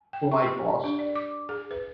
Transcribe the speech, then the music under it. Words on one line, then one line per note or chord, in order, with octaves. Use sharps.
To my cost.'
G5
C#6
G4
D4
D5
D6
G#4
B4